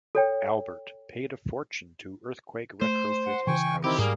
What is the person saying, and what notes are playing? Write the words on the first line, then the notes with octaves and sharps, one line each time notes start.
Albert paid a fortune to earthquake retrofit his house.
A4 C#5 G5
A3 C5
F#5
C#3 E3 G5 G#5 C#6
D#3 C4 E4 G4
G#2 G3 A#3 G#4